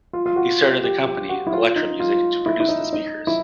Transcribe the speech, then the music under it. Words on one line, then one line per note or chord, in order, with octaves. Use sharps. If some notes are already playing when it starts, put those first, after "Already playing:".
He started a company, Electro Music, to produce the speakers.
F4
F4
F#4
G4
G4
G4
F#4
E4
F4
D#4
F4
E4
E4
D#4
D#4
E4